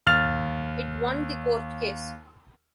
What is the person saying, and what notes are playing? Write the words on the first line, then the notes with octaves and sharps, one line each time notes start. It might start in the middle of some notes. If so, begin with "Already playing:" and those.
It won the court case.
D#2 F6 A6 F7